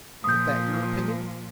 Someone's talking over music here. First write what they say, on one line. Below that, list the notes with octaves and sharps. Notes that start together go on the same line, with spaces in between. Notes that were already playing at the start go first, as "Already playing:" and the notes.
Ain't that your opinion?'
A#2 F3 D#6 G6